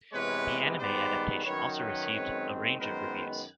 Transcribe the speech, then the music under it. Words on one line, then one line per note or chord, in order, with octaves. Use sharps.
The anime adaptation also received a range of reviews.
C3 E3 G#3 B3 B4 C#5
G#2 D#3 G3 B3 C5 D5
F#2 D#3 F#3 B4 C#5
B4 C#5
F#2 D#3 G#3 C4
F#2 D#3 G#3 B3 A#4 C5